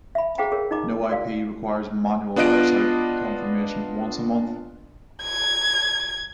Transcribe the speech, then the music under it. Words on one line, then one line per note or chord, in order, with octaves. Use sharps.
No-ip requires manual web site confirmation once a month.
E5 B5
G#4 C5 F5 G5 A#5
G#4 A#4 C#5
D#4 D#5 A#5 D6
F#4 A#4 D5 F5
B3 D4 F4 D#5 F#6 D7
G#6